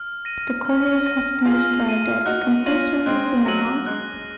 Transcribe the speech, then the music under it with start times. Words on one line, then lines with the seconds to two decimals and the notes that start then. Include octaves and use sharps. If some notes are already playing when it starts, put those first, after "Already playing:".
The chorus has been described as "compulsory singalong".
Already playing: F6
0.25 A#6 D#7
0.65 F6
1.06 A#6 D#7
1.45 F4 G#4 F6
1.86 A#6 D#7
2.26 D#4 F#4 F#6
2.66 C#4 F4 A#6 D#7 F#7
3.06 G#3 C4 F#6
3.46 F#3 A#6 D#7 F#7
3.86 G#3 F#6